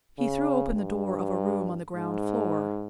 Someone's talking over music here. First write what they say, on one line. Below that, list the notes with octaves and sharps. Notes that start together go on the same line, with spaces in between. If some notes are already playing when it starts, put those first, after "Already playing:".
He threw open the door of a room on the ground-floor.
C#3
G2
G#2